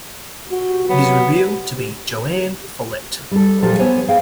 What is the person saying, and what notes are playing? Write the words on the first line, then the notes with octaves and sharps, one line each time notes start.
It is revealed to be JoAnne Follett.
F#4
F#3 B3
G3 A4
A#2 F3 F#3 G4 A4
B3 C5 C#5 G#5
G#4 F5 G5